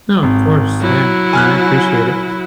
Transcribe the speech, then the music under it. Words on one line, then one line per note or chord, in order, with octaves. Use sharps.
No, of course, yeah. No, I appreciate it.
G#1
F#3 E4
G#5 F6 F#6